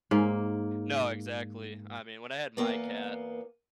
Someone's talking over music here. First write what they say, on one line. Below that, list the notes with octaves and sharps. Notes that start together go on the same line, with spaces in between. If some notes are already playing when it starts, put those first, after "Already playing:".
No, exactly. I mean, when I had my cat,
G#2 A#3
E2 A#3 B3